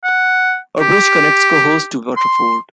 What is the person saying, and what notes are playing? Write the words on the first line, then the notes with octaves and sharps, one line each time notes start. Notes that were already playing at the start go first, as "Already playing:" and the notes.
A bridge connects Cohoes to Waterford.
F#5
G4
C6